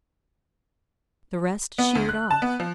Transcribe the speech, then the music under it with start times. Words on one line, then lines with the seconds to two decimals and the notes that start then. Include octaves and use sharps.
The rest sheered off.
1.78 B3
1.95 D2
2.09 F#6
2.31 A5
2.42 B3
2.60 F3